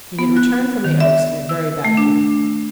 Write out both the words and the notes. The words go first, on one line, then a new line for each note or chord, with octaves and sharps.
He had returned from the Oaks in a very bad humour.
B3
F#6
D#3
E5
E6
A3
D4